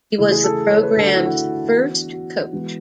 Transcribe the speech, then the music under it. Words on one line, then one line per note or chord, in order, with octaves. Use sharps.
He was the program's first coach.
C#3 E3 A3 C#4 E4
G#4
A4
C#5
B4
D3 A3 D4 A4
F#4
E4
F#4
E3 B3 D4
F#4
E3 G#3 B3